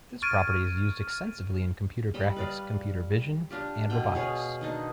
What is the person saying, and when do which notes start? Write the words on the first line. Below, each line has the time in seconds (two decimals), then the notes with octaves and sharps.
This property is used extensively in computer graphics, computer vision and robotics.
0.22 C#6 F6 G#6 A6 D7 D#7
2.14 G3 D#5 B5
2.36 B4 D5 F5
3.50 D4 F4 G4
3.90 B2 G5
4.15 G#4 B4 C#5 F5
4.61 D#3 D4 D#4